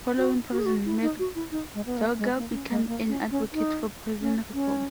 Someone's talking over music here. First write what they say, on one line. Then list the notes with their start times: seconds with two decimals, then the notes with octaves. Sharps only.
Following prison, McDougal became an advocate for prison reform.
0.17 F#4
0.52 F#4
0.58 G#4
0.66 F#4
0.86 E4
1.02 D#4
1.19 F#4
1.35 E4
1.51 D#4
1.74 G#3
1.86 B3
1.97 A#3
2.19 G#3
2.37 A#3
2.53 C#4
2.70 G#3
2.87 A#3
3.08 C#4
3.31 C#4
3.53 D#4
4.21 C#4
4.53 C#4